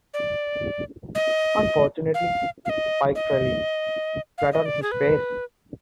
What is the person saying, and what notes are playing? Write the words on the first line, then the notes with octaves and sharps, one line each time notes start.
Unfortunately, Pike fell in, flat on his face.
D5
D#5
F5
F5
D#5
D#5
F5
D#5
D5
G#4
B4